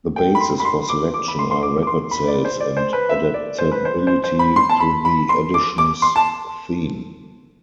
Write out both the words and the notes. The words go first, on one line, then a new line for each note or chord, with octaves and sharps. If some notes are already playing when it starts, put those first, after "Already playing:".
The basis for selection are record sales and adaptability to the edition's theme.
G5
B5
C6
B5
C6
D6
D6
B5
C6
C6
D6
D6
C6
B5
D5
C5
D5
C5
B4
E5
D5
C5
B4
C5
C5
C5
B5
C6
A5
B5
B5
C6
D6
D6
C6
A5